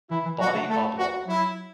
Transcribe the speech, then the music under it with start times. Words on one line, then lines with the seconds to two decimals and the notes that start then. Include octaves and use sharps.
Body oblong.
0.10 E3 E4
0.25 E3
0.39 F#3 F#4
0.54 A3
0.69 A3 A4
0.98 F#4
1.27 F#3 E4